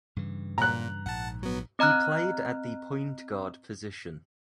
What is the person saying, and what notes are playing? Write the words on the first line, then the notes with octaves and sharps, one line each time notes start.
He played at the point guard position.
G2 C#3 E3
A#2 A#5 F#6
A#1 G#2 F#5 A5
F#3 B3
C4 D#5 A#5 F6 F#6